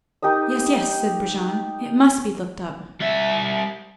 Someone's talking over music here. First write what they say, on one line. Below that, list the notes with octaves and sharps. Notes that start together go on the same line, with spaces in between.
"Yes, yes," said Brujon, "it must be looked up."
D#4 G4 A#4 D#5
G3 E5